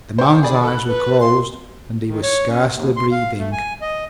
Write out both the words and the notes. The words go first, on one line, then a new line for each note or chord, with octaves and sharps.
The man's eyes were closed and he was scarcely breathing.
C5 C#5 G5
G#4 D5 B5
A4 F#6
B4
C6
D#3
C#5
C#4
D#2
C6
F5
A3
G#5
D#5